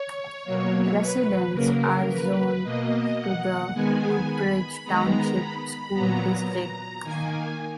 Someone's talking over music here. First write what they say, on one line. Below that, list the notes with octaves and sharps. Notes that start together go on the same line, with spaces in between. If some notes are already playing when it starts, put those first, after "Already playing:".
Residents are zoned to the Woodbridge Township School District.
Already playing: C#5
B2 F#3 A#3
B4
C#3 F#3 A#3 A#4
B4
B2 A#3 D#5
F#5
D#3 G#3 B3 G#5
B5
D#3 G#3 B3 A#5
B5
A#2 F#3 B3 A#5
D#3 A#3 G#5